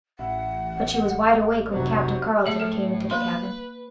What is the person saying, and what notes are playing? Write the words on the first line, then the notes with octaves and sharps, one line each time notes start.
But she was wide awake when Captain Carleton came into the cabin.
A1 E4 F#5
F1 C3 F#3 G4 C5
A2 A3 G#4 E5
A4
A#3 B4 C6